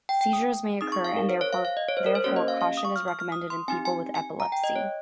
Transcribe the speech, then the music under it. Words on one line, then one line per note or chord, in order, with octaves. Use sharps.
Seizures may occur and therefore caution is recommended in people with epilepsy.
G5
G5
D#6
C4 D#4 G#4 D#6
C#6
F5
A#4
C5
C#5
F5
F5
D#5
C#5
C5
A#4
C5
A#3 C#4 G4 C#5
D#5
F5
F5
D#6
C#6
F6
F6
F6
D#6
C6
C4 D#4 G4 G#5
G#5
G#5
A#5
G5
D#5
C#5